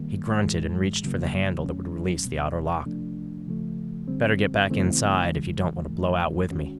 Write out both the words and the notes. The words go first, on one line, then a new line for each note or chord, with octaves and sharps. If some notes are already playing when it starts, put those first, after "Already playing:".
He grunted and reached for the handle that would release the outer lock. "Better get back inside if you don't want to blow out with me."
Already playing: D#3 G3 A#3
A2 E3 G#3
C#3 F#3 A#3
F2 D3 F#3 A3 C#4
B2 G3 B3
C2 C3 F3 A3 D4
C#3 F3 A3
D3 G3 C4
C#3 E3 A3 C4 E4
C#3 E3 G#3
G#2 E3 A3
D#3 G#3 C#4 F#4